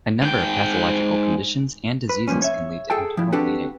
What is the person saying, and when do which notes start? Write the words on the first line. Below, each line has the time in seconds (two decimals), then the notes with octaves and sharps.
A number of pathological conditions and diseases can lead to internal bleeding.
0.22 G#2 G5
2.09 B4
2.28 G2 A#2 F3 C#4
2.42 C#5 E5
2.90 G#4 A4 G5 A5
3.17 F3 E4
3.32 C4 D4 F#4 G4 A4 B4